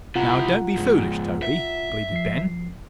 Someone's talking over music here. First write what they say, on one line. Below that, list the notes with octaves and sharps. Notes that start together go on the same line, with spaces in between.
"Now don't be foolish, Toby," pleaded Ben.
C3 E4 F4 F#5 A#5
C#2 G#2
E5
F3 C7